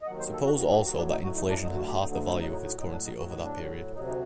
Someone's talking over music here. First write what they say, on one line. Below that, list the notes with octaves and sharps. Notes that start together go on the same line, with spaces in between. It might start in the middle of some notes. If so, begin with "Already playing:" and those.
Suppose also that inflation had halved the value of its currency over that period.
D#5
D#2 D#3 F#3 F#5
C5
A4
D#2 D#3 F#3 F#4
F#4
G4
A2 F#3 F#4
D4
D#4
A2 F#3 F#4
D#4
D4
D2 D3 F#3 D#4
F#4
G4
D2 D3 F#3 D#4
D#4
D#4
A2 F#3 D#4
D#4
D#4
A2 F#3 D#4
D4
D#4
A2 F#3 F#4
D#4
D4
A2 F#3
D2 C3 F#3 D#4
D#4